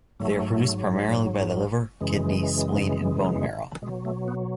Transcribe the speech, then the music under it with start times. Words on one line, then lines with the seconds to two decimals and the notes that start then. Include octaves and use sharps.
They are produced primarily by the liver, kidney, spleen, and bone marrow.
0.20 G#2 F#3 A3
2.01 F#2 C#3 E3 G#3
3.82 B2 G#3
3.86 F#3
4.05 A3
4.28 B3